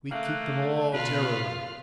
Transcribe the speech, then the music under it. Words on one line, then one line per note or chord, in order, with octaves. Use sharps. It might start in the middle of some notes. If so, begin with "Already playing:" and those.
We keep them all terrorized.
A3 A#3 F5 F#6
B2 F4 B4 F6